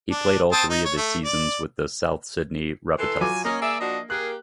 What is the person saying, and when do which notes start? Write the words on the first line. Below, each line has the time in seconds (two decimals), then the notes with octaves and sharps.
He played all three of his seasons with the South Sydney Rabbitohs.
0.11 D4
0.52 C4 A5 D#6
0.70 D#4
0.85 C#5
0.97 A3
1.25 D5
2.99 E3 A4 C6
3.21 F#3 F4 G#5 D6
3.45 A#3 C#4 D#5
3.62 G#4 D5 E5
3.80 F3 D4 F#4 D#5
4.10 A#3 G4 G#4 A#4 F#6